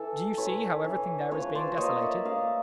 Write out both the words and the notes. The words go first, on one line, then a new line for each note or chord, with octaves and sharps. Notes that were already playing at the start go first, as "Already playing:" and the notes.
Do you see how everything there is being desolated!
Already playing: E3 A4
E3 B4 C#5
E3
F3 B4 C#5
C5 D5
A#3 C#5 D#5
D5 E5
A#3 D#5 F5